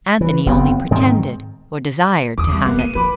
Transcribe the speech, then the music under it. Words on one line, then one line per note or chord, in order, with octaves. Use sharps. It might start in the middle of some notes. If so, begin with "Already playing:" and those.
Anthony only pretended or desired to have it.
E3
F#1 B3 C4
G#2 D#3 C4
E2 D6 D#6
C2
F1 A#3 B3
C3 D#7
F3 B4 B5 D6